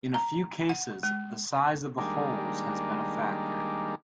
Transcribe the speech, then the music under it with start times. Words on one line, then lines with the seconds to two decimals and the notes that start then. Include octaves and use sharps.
In a few cases the size of the holes has been a factor.
0.14 A#5
0.69 F#5
1.03 G#3
1.98 D#3 G3 G#3 A#3 D4